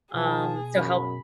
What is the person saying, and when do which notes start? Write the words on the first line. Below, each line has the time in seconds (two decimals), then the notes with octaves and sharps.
Um, so help
0.14 B2 F3 G#4 A5
0.74 F#2 B5